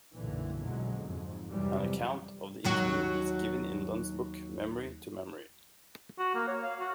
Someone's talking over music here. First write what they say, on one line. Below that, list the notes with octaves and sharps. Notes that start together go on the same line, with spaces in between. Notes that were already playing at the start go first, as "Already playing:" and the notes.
An account of the interview is given in Lunn's book "Memory to Memory".
B1 F#2 A#2 D3 E3
F2 B2 D3 F#3 G#3
F2 G#2
F2 C3 E3 F#3 G3
D#2 F#3 F#4
F#4
A#3
C#5
F5
F#4